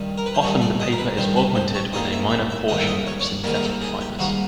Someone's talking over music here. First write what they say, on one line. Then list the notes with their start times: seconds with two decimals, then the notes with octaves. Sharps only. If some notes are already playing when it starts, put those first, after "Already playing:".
Often the paper is augmented with a minor portion of synthetic fibers.
Already playing: G2 D#3 G3
0.18 A#4
0.26 B4
0.34 C5
0.42 G2 D#3 G3 C#5
0.61 D5
0.80 D#5
0.92 A#4
0.98 B4
1.17 G2 D#3 G3 C5
1.36 B4
1.55 C5
1.74 C#5
1.93 G#2 D#3 G3 A#3 D#5
2.13 E5
2.30 E5
2.50 E5
2.68 G#2 D#3 G3 A#3 D#5
2.81 E5
2.87 D#5
3.06 C#5
3.20 C#5
3.25 D5
3.44 G#2 D#3 G3 A#3 A#4
3.55 A#4
3.63 A4
3.82 G#4
4.01 G4
4.19 G#2 D#3 G3 A#3 F#4